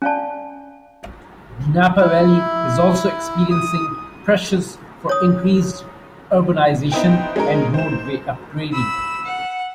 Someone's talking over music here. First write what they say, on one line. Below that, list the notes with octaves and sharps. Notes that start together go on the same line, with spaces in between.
The Napa Valley is also experiencing pressures for increased urbanization and roadway upgrading.
C#4 D5 F5 G#5 A5
E4
D#6
C#5 D#6
B3 D#4 E4 C5 D#5 G5
G#3 C#4 D#4 A#4
C5 E7
B5 E6
F#5